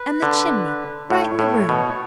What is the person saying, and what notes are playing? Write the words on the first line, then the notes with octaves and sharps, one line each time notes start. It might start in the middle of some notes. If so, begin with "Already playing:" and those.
And the chimney right in the room!
Already playing: B4
D3
A2 C#5
A2
B2